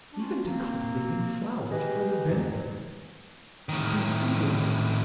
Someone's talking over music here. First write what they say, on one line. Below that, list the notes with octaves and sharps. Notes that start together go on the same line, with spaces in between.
"Even to cultivating flowers for their benefit," she conceded.
C#4 D4 F4 F#4
A#3 C4
G4 G#4 B4 D#5
F2 G#2 F#3
A2 D#3